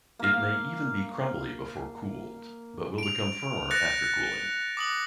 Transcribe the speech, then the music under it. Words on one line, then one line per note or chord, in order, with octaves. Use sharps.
It may even be crumbly before cooled, but will become firmer after cooling.
A#3 F5
D7 F7
F#6 A6 A#6 C#7
D6 D#6 F#7